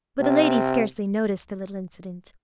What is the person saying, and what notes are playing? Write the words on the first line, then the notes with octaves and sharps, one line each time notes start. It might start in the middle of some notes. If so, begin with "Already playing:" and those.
But the lady scarcely noticed the little incident.
C3